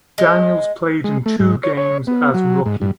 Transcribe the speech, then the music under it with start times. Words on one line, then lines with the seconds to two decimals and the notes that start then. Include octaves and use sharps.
Daniels played in two games as rookie.
0.18 G#3
1.04 G#3
1.26 A3
1.39 G#2
1.64 C#5
1.77 C#5
2.07 B3
2.34 F#3
2.66 G#2
2.82 G2